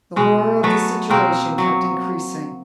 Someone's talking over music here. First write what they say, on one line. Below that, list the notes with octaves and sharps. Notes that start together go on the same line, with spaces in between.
The horror of the situation kept increasing.
B2 G#3
F#3 A3 B3
B2 A#3 C4
F#3